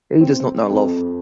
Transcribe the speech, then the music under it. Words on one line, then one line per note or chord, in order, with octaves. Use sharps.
He does not know love.
C4
F2